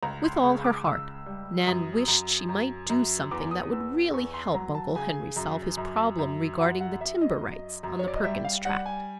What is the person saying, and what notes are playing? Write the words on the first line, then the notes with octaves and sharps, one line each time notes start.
With all her heart, Nan wished she might do something that would really help Uncle Henry solve his problem regarding the timber rights on the Perkins Tract.
C#2 A#5
C6
C#3 C#6
D6
C#2 E6
G3
F#2 D#6
F#2
F#2
F#2
E2 D6
D#6
E2 E6
E2 C#6
C6
F#3 A#5
A5
C#3 G#5
F#2
F#2
F#2
F#2 F#5
F#5
F#2 E5
D#5
F#2
F#2
C#5
D5
D#5
G3 E5
F5
G3 F#5
G#5